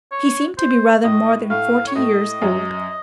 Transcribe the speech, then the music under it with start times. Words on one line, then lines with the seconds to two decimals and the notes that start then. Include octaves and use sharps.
She seemed to be rather more than forty years old.
0.12 C#5
0.58 C5
1.03 A2 A3 D#5
1.50 A2 A3 F5
1.87 C#5
1.95 A2 A3 D#5
2.42 F#2 F#3